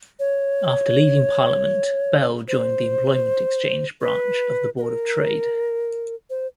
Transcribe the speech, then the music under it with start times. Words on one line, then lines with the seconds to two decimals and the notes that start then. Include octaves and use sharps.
After leaving Parliament, Bell joined the Employment Exchange branch of the Board of Trade.
0.19 C#5
2.48 C5
4.01 B4
4.77 B4
4.81 A#4
6.30 C5